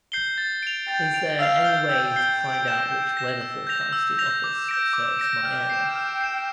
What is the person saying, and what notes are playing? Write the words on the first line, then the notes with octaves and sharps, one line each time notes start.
Is there any way to find out which Weather Forecasting Office serves my area?
G6 C7 G7
A6
D7 F7
G5 A6
D7 F7
F5 E6
G6 C7 G7
G5 E6
G6 C7 G7
G6
A#6 E7
G6
A#6 E7
E6
G6 A#6 F7
E6
G6 A#6 F7
D6
G6 A#6 D7
D6
G6 A#6 D7
G5 F6
C7 E7
F6
C7 E7